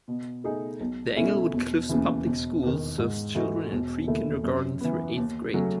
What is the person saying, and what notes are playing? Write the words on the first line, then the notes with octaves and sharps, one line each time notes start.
The Englewood Cliffs Public Schools serves children in pre-kindergarten through eighth grade.
B2
A3 D#4 G#4
B1
B2 A3 C#4 E4
E1
D#2 C#3 E3
E1
E2 D#3
G#2
E3 A3 D#4 F#4
E1
D#2 D#3 A3 E4
F#2
E3 B3
D#2
C#3 F#3 A3 C#4